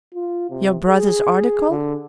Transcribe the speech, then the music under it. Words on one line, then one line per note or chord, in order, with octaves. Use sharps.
Your brother's article?
F4
C3
G#4
D3